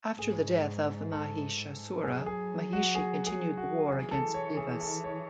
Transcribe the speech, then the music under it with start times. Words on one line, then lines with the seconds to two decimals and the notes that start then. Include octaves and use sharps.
After the death of Mahishasura, Mahishi continued the war against Devas.
0.18 G#2 G#4
1.12 A4
2.03 F#3 G#4
2.26 G#4
2.73 F#4
2.95 G#4
3.27 G#4
3.57 F#4
3.88 E3 G#4
4.11 A4
4.34 C#5
4.57 G#4
4.81 A4
5.04 C#5